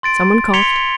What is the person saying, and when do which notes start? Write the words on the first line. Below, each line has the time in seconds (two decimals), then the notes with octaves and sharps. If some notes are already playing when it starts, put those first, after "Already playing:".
Some one coughed.
0.03 C6 A6 D7
0.53 C6 G#6 B6 C#7 F7 G7